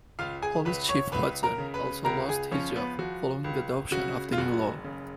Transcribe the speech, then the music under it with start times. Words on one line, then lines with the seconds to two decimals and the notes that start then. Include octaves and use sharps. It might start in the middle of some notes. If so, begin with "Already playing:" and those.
Police Chief Hudson also lost his job, following the adoption of the new law.
0.19 C#2 F4 F5
0.42 G#4 G#5
0.65 C#2 B4 B5
0.89 C#5 C#6
1.12 C#2 B4 B5
1.43 A#4 A#5
1.58 C#3
1.74 B4 B5
2.05 C#2 A#4 A#5
2.29 G#4 G#5
2.51 F3 C#4 C#5
2.75 B3 B4
2.99 F3 F#4
3.44 C#2
3.91 C#3 F#4
4.32 F4
4.38 F#1 F#4
4.84 C#3